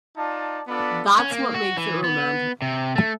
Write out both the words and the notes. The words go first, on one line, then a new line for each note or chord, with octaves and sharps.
That's what makes it romantic.
D#4 F4 D5 A5
B3 D4 F4 A4 D5 B5
C#4
A#3
F#4
E3
B3
C3
A3